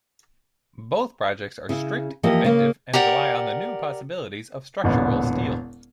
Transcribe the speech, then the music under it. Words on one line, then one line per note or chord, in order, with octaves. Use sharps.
Both projects are strict, inventive, and rely on the new possibilities of structural steel.
C#3 E4
E3 F3 A#3 G4 D#5
C#3 A#3
G4 A#4 D5 F#5
E1 A1 A#2 D3 B3